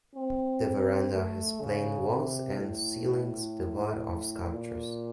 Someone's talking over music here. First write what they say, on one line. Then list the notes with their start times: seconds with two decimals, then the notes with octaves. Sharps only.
The verandah has plain walls and ceilings devoid of sculptures.
0.15 C4
1.13 A3
1.61 C#3
2.09 C3
2.59 A2
4.53 A#2